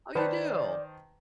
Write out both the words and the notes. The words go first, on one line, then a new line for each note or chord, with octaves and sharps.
Oh, you do?
D#3 B4 C5 D5 A5